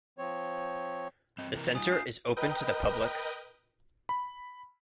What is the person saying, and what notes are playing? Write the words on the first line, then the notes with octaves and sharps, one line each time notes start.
The center is open to the public.
F3 C4 C#5
G2 C4 D#5
C3 E3 A#4
G3 D#4 F4 G#5 D#6
D4 F4 G6 C7
A#4 B4 D#5 G5 D#6 G6
B5